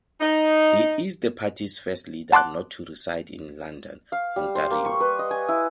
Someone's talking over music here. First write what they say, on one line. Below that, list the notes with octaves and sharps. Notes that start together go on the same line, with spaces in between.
He is the party's first leader not to reside in London, Ontario.
D#4
F#5 A5 C6 D6 F#6
F5
G3
C5
A#3
C#6
B4
D#5
G#5
E4